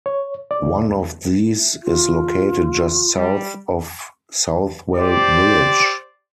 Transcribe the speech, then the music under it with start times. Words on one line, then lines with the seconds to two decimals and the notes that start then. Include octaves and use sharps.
One of these is located just south of Southwell village.
0.06 C#5
0.51 D5
1.83 F4
3.16 G3
4.96 G4 C5 D5